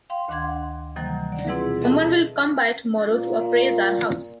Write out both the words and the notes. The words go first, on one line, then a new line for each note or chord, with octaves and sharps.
Someone will come by tomorrow to appraise our house.
F5 G5 C6
D2 D#3 D4 F#5 C6 G#6
C3 D#3 E3 F#3 G3 A#3
D5 F#5
B2 C4 E4 F4 G#4 B4
A4 D#5 E5 A5
A#2